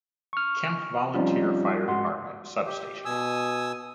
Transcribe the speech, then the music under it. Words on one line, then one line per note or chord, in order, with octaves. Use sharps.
Camp Volunteer Fire Department Substation.
C#6 F6
F3 G3 C4 C#4 D#4 F4
G#2 F#4 F#5 C6
G4
B2 G#5 D#6 E6